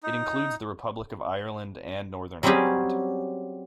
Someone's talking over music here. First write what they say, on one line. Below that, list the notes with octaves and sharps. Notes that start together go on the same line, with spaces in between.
It includes the Republic of Ireland and Northern Ireland.
D#4
F#3 G3 C4 C#4 G4 G#4